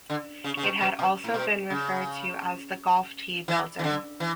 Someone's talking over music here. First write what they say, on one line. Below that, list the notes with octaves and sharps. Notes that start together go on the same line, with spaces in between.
It had also been referred to as the "golf tee" building.
D3
C#3
C#3
B2
B2
B2
A2
B2
C#3
E3
E3
D3
E3